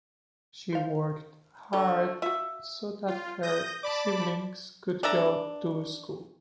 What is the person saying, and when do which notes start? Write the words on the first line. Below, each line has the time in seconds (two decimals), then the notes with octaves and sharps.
She worked hard so that her siblings could go to school.
0.72 C5 F5
1.73 A3 D4 A4 C#5
2.22 F4 F#4 E5
3.08 F4
3.43 D#6 G6 A#6
3.83 D5 A5 B5 D6
5.03 D4 A4 E5 A#5